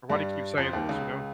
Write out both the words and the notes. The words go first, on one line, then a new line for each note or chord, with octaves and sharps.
"Why do you keep saying this," you know?
G2 G3
F2 F3
D#2 D#3
C#2 C#3